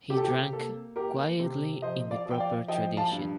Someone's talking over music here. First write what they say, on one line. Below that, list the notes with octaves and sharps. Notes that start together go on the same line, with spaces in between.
He drank — quietly and in the proper tradition.
C3 G4
A4
G4
A#3 A4
A#3 G4 A#4
C3
F3 C5 D#5
D5 F5
F3 G5
D5 F5
F3 D#5 G5
F5 A5
G2